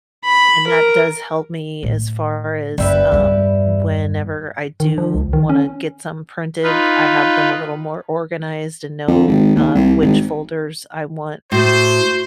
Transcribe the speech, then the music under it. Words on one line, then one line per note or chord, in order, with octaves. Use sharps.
and that does help me, as far as, um, whenever I do wanna get some printed, I have them a little more organized and know, uh, which folders I want
B5
A#4
A2
F#1 G3 E4 B4
E2 G2
D#3
F3
C#2
D#3
C#4
D#4 F4 B4
F2
G#1
D#2
C2
G#1
A2 F#4 C5